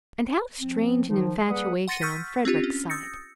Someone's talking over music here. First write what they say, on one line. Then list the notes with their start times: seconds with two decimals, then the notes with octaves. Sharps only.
And how strange an infatuation on Frederick's side!
0.59 F3 C4
1.08 D#3 F3 D#4
1.48 G3 A#3 G#4 B4 F#5 D#6
1.88 F#5 C6 A6 A#6 C#7 D#7
2.02 C#6 E6 F6 G6 A6 B6
2.45 C4 D4 F4 G4
2.64 C#4
2.90 D#6 E6 G6 A6 A#6 C#7